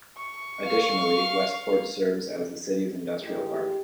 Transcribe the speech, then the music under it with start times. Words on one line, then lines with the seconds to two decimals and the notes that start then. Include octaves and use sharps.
Additionally, Westpoort serves as the city's industrial park.
0.17 C#6
0.65 F5
3.22 A2 G#3 D#4 F4 G4